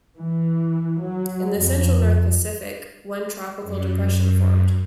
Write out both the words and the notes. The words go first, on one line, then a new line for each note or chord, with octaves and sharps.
In the central north Pacific, one tropical depression formed.
E3
F#3
F2
F#2